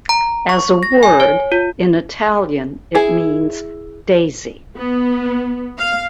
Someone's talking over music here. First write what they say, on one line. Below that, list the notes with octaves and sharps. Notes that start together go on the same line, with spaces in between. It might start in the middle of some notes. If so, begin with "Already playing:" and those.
As a word, in Italian it means "daisy".
A#5
C#6
A#6
G#5
C#5
F4
E4 G#4
B3
F5